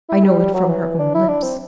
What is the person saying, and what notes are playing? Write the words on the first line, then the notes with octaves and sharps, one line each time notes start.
I know it from her own lips.
E4
G3
G3
F#3
E3
D4
E4
D4
C4